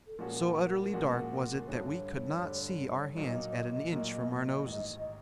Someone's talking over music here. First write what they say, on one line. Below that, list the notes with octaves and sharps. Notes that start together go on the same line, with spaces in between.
So utterly dark was it that we could not see our hands at an inch from our noses.
A4
A#2 F3 G#3 C#4 F#4 A#4
A#2 F3 G#3 C#4 F#4
G2 D3 G3 C#5
G2 D3 G3
A#2 F#3 A#3 D#4 D#5
A#2 F#3 A#3 D#4
A1 G#2 D#3